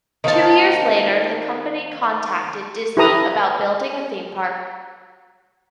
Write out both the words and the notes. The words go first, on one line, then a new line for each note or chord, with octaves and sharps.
Two years later, the company contacted Disney about building a theme park.
D#3 A#3 C4 A5
E4 G4 A4 B4 A#5 D#6